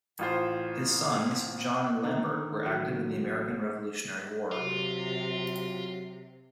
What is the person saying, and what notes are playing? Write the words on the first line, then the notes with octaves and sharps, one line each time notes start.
His sons, John and Lambert were active in the American Revolutionary War.
A1 F4 C5
D3 D#3
A1 F#3 E4
C3 F#3 F4